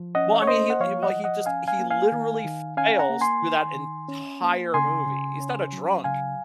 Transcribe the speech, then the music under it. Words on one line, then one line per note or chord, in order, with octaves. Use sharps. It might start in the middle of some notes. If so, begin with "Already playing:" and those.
Well, I mean, he l he well, he just he literally fails through that entire movie. He's not a drunk,
Already playing: F3
C#4 D#5 F#5
C#5
A#3 C5 D#5
F#5
F3 C#5 F5
D#5 F#5
F3
D#5 F#5
C#4 F5 G#5
F5 G#5
A#3
F5 G#5
D#3
D#3
C#4 F5 G#5
F#5 A#5
A#3
G#5 C6
D#3
D#3
C#4
A#3
C#3 G#5 C6
C#3
C#4
F#3
C#3 F5 G#5